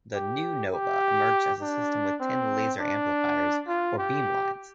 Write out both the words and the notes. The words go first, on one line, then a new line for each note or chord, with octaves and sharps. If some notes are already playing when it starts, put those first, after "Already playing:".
The "new Nova" emerged as a system with ten laser amplifiers, or "beamlines".
G4
G4
D4
C4
D4
F4
G4